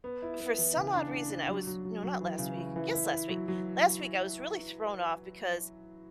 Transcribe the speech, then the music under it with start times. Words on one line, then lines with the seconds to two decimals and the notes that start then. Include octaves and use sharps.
for some odd reason, I was no, not last week yes, last week. Last week, I was really thrown off, because
0.04 B3
0.22 E4
0.40 B3
0.58 E3
0.76 C#3
0.94 D4
1.12 D4
1.30 D4
1.48 F#3
1.67 F#3
1.85 F#3
2.03 F#3
2.21 E3
2.39 C#3
2.57 E3
2.76 E3
2.93 E4
3.12 E4
3.29 F#3
3.48 F#3